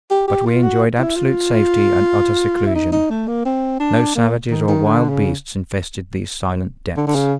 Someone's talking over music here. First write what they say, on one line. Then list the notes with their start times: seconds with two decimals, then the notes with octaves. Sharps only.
But we enjoyed absolute safety and utter seclusion; no savages or wild beasts infested these silent depths.
0.11 G4
0.28 G4
0.46 F4
0.63 F#4
0.98 E4
1.16 F4
2.67 E4
2.75 D#4
2.92 D#4
3.10 A3
3.27 A#3
3.45 C4
3.80 D4
4.15 A#3
4.51 D#3
4.68 D#3
4.86 D3
5.09 C#3
6.97 D3
7.07 D3
7.15 C#3